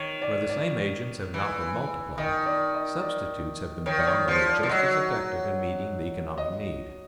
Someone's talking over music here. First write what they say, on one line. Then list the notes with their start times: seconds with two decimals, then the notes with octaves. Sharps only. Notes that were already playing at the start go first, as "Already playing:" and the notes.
Where the same agents have not been multiplied, substitutes have been found that are just as effective in meeting the economic need.
Already playing: D#3 C#5
0.22 D5
0.49 D5
1.34 E3
2.18 D#3 D#5
2.46 D5
2.74 D#5
3.01 D5
3.86 D#3 C#5
3.98 D5
4.07 C#5
4.27 F3 C5
4.49 D5
4.63 F3
4.69 F#3 D#5
6.38 D#5